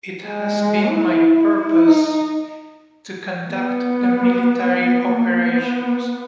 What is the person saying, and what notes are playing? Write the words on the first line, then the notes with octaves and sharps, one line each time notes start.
It has been my purpose to conduct the military operations.
G#3
E4
E4
D#4
B3
B3
A#3
B3